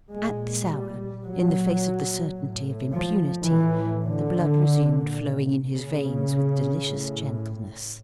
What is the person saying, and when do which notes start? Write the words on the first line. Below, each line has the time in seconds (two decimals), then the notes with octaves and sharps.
At this hour, in the face of the certainty of impunity, the blood resumed flowing in his veins with delicious gentleness.
0.12 A#2 G#3
0.69 G3
1.24 A#2 F#3
2.37 A2
2.92 F3
3.48 A2 E3
4.05 D3
4.60 A#2
5.72 A#2 C#3
6.84 A2